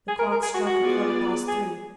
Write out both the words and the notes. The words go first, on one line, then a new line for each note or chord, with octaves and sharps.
The clock struck a quarter past three.
G#4
A#4
A#4
G#4
F#4
F#4
B3 F4 G#4 D5
G#4